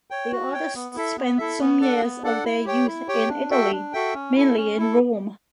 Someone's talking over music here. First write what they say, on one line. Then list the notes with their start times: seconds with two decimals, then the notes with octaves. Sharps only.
The artist spent some years of their youth in Italy, mainly in Rome.
0.11 C#5 G5
0.32 F#4
0.53 C#5 G5
0.75 B3
0.95 E4 A4 E5
1.17 B3
1.38 E4 A4 E5
1.60 B3
1.80 D4 A4 D5 F#5
2.01 B3
2.23 D4 A4 D5 F#5
2.44 E4
2.65 G4 C#5 G5
2.87 E4
3.08 G4 C#5 G5
3.29 D4
3.50 F#4 A4 E5 G5
3.72 D4
3.93 F#4 A4 E5 G5
4.14 C#4
4.35 E4 A4
4.57 C#4
4.78 E4 A4